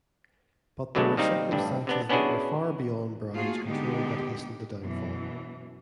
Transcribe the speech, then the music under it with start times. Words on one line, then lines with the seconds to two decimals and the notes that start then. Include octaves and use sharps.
But there were circumstances that were far beyond Brown's control that hastened the downfall.
0.95 B2 D3 F#3 G#3 A3
1.17 D#3 G3 A#3 C4 D#4
1.51 A1 G2 D4
1.87 C3 B3 D4
2.09 B3 C#4 D4 E4 F#4 G#4
3.32 A3 A#3 F4 F#4 G#4
3.66 D3 G#3 A3 B3 D#4 G4
4.81 F#2 B2 E3